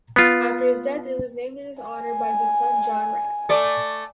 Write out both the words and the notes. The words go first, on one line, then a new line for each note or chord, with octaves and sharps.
After his death it was named in his honor by his son John Wragg.
B3 F4
G#5
A3 D5